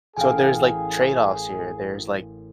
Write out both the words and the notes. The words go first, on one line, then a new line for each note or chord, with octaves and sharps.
So, there's, like, trade-offs here. There's, like
A1 G#4 A#4 F5 G5 G#5